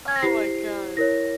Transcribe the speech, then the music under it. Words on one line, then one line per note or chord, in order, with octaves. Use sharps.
Oh my God.
G#6
A#6
E4 G4 C5 C7
E4 A#4 C#5 A#6